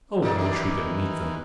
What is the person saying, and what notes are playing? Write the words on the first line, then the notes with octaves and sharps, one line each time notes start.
"Oh, I wish we could meet them."
D#3 E3 D4 D#4 D5
G3 D#4 D5